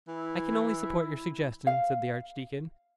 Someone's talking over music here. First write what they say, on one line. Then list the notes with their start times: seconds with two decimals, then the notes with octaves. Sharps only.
"I can only support your suggestion," said the Archdeacon.
0.08 E3 E4
1.67 F5